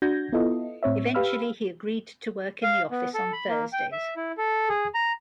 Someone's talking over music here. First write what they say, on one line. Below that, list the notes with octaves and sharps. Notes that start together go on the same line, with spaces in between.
Eventually, he agreed to work in the office on Thursdays.
D4 F#4 G6 G#6 A#6
B3 E4 F4 A4 D#5
A2 C4 C#5 E5
G4 B4 F5 B5 E6 F6
F5
B3
A4
B5
A#3
G5
E5
E4
A4
G#4
A#5